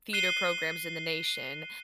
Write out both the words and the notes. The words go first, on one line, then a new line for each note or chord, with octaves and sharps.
theater programs in the nation,
F#6 C7 D#7 G7